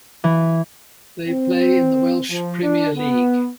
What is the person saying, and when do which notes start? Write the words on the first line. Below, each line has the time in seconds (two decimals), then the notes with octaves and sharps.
They play in the Welsh Premier League.
0.24 E3
1.28 C4
2.30 F3
2.62 D4
2.96 B3